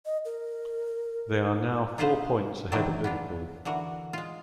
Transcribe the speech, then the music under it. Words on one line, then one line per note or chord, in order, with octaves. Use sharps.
They are now four points ahead of Liverpool.
D#5
A#4
D#4 F4 G#4 B4 C5 D#5
C3 D#3 E3 F#3 C4 D4
B3 D4 F4
D3 E3 F#4 A#4
G#3 F4